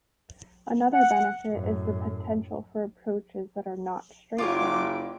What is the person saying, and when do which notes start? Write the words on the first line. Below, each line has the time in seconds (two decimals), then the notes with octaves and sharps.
Another benefit is the potential for approaches that are not straight- in.
0.93 F#5
1.52 F#2 A2
4.38 F#1 F4 G4 C#5 D6